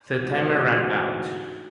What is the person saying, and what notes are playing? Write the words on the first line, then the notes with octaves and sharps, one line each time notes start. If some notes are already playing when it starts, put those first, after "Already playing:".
The timer ran out.
D2 G#2 C3 E3 F#4